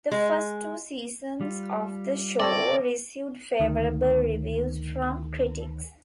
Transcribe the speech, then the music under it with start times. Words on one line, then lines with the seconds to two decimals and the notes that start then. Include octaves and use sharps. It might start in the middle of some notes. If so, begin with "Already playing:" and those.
The first two seasons of the show received favorable reviews from critics.
0.12 G#3
1.41 G3 F4
2.40 C4 A4 C#5 D5 D6 A#6
3.60 D2 D#3